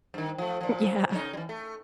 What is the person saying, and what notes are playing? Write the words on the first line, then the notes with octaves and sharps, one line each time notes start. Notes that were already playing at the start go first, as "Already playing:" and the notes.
N Yeah.
G2 D#3
F3 A3
A#2 F3
C#3 C#4 D#4
E3 G3
A3